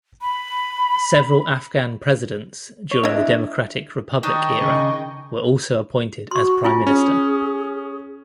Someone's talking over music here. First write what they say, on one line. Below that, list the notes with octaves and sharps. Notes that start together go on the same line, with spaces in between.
Several Afghan presidents during the Democratic Republic era were also appointed as Prime Minister.
B5
C#5
D4 E4 D#5 E5
D#3 D4 D#4 D#5 G5 C#6
C#3
F#4 C6 C#6
E4 F4 G#5
C#4 G#4